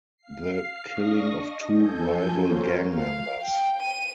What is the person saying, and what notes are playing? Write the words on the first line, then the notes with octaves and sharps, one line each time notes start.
The killing of two rival gang members.
F5 C7
D4 C#6 D#6 A#6
D#5
F3 A4 G#5 G6
F4 F#4 A#4 C5 C#5 F5
F5
G5
D#7